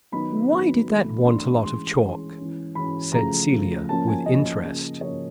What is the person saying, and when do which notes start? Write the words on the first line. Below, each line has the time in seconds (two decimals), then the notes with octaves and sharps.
"Why did that want a lot of chalk?" said Celia with interest.
0.12 D#3 F#3 B3 D#4 B5
0.50 D#3 F#3 B3 D#4
0.87 E3 A3 D4
1.25 E3 A3 D4 C6
1.63 E3 G#3 C#4 C6
2.00 E3 G#3 C#4
2.38 E3 G#3 C#4
2.75 E3 G#3 C#4 B5
3.13 C#3 F3 A3 A#5
3.51 C#3 F3 A3
3.89 F3 A#3 C#4 A5
4.08 G#5
4.26 F3 A#3 C#4 D#5
4.64 C#3 F3 A#3
5.01 C#3 F3 A#3 C#5